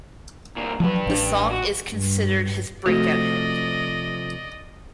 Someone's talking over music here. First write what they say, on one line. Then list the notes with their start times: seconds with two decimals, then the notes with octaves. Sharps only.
The song is considered his breakout hit.
0.56 C2 A#3
0.80 G2 F3 F#3 B4
1.06 A1 D4
1.51 F#4
1.89 G2
2.86 C3 F3 A3 F#4 D5 D#5